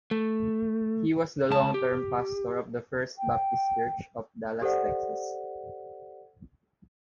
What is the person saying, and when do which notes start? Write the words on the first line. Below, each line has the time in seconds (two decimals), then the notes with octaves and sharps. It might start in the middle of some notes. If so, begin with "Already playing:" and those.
He was the long-term pastor of the First Baptist Church of Dallas, Texas.
0.11 A3
1.50 C#2 A5
1.74 G4
3.18 G5
4.62 G4 A4 C5 D5 F#5